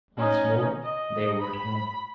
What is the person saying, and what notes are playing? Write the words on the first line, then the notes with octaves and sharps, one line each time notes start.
Once more they were at home.
C#4 D#4
D#5
B5